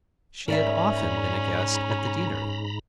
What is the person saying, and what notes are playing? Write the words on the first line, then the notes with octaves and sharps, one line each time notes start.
She had often been a guest at the deanery.
G#2 C#4 A#4 D5 E5 A#5 B5